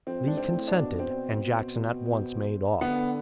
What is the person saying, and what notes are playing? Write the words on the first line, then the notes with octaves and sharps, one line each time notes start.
Lee consented, and Jackson at once made off.
F2 C4
G#2 D4
C4
A2
D4
B2
C4
D3 B3